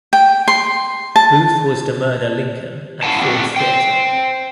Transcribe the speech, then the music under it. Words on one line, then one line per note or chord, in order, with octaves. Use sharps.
Booth was to murder Lincoln at Ford's Theatre.
G5
C6
A5
C#4 E4 F5 F#5 A5
A3 C4 D4 E4 F#4
C5 G5